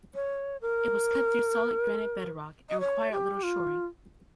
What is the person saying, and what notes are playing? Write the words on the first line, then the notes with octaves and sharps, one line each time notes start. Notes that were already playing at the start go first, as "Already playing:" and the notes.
It was cut through solid granite bedrock and required little shoring.
C#5
A#4
D#5
C#5
G4
F4